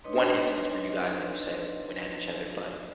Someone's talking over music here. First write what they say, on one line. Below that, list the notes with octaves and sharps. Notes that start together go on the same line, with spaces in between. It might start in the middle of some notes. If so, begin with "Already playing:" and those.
one instance where you guys, like you said, went at each other, but,
D4 D#4 B4 C#5 D#5 C6